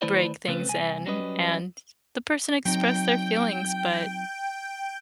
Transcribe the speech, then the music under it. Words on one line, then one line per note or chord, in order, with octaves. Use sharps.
break things in and the person expressed their feelings, but
D#3 A3 E4 B4 C5 D5
C#3 A3 C4 C#4 B4
C2 G#5
F#3 G3 C#4 B4 D#5
F#3 C4 D#4 G5